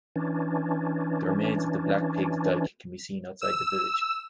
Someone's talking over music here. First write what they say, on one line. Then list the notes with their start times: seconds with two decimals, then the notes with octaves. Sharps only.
The remains of the Black Pig's Dyke can be seen outside the village.
0.16 E3 C#4 D4
3.42 E6